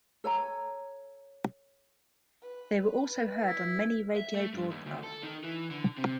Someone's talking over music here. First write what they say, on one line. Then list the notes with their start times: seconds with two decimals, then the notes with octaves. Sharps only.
They were also heard on many radio broadcasts.
0.24 A4 C#5 G#5 A#5
2.42 B4
3.42 E4
4.16 E5
4.34 A3
4.54 G2
4.71 D#2
4.86 D2
5.03 A4
5.23 D#3
5.44 E3
5.71 D3
5.97 C3